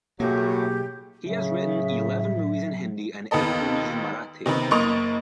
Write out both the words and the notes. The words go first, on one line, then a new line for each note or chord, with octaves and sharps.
He has written eleven movies in Hindi and eight movies in Marathi.
B1 A2 F#3 A#3 G4 G#4
A2 C#3 F#3 E5
D#2 B3 A4 D#5
C3 D#3 B3 C4
F#1 A#3 D#5 C#6 D#6 F7